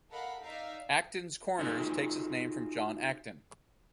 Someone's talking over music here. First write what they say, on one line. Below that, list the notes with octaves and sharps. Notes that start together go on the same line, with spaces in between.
Actons Corners takes its name from John Acton.
A4 A#4 D#5 F5 F#5 B5
D#4 D5 E5 F5 A#5
D#4 F4 F#4 G#4 A4 C5